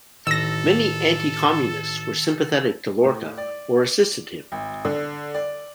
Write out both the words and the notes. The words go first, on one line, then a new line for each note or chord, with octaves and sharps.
Many anti-communists were sympathetic to Lorca or assisted him.
A1 D#3 A4 E6 A#6
A2
D5
G#1
D3
D5